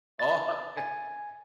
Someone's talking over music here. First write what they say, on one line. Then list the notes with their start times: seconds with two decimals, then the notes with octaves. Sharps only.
Oh, okay.
0.19 A6
0.77 G#5